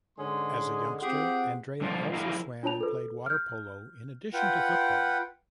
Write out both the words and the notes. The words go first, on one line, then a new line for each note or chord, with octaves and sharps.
As a youngster, Andrea also swam and played water polo, in addition to football.
G#2 D3 G#3 C#4 G#4 C6
C4 F4 G4 G#4 F#5
G2 D3 F3 F4
F3 E4 G#4 A#4 F5
D4 F4 C#5 A5 F7
A4 B4
F6 G6
F4 B4 F#5 G5